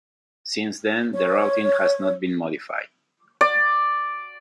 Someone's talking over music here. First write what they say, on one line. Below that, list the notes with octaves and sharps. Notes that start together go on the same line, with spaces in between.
Since then, the routing has not been modified.
C#5
D5